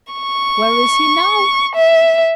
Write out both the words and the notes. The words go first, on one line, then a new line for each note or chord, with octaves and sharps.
"Where is he now?"
C#6
E5